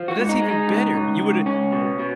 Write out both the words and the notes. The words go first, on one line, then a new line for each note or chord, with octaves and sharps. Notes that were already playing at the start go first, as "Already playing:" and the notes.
Oh, that's even better. You woulda
Already playing: F3
F#4
G#2
D#4
G#3
D#4
C#2
C#2
C#2
C#2 C#4
B2
B2